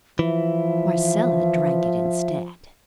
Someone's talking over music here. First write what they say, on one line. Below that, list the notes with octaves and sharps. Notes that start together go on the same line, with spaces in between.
Marcella drank it instead.
E3 F3 E5